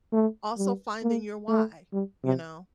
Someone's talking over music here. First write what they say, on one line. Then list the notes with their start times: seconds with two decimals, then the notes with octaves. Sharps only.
Also finding your "why," you know?
0.12 A3
0.58 G3
1.03 A#3
1.48 A3
1.93 G3
2.24 C3